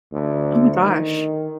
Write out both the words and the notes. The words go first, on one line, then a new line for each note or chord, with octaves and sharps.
Oh my gosh.
D2
D#3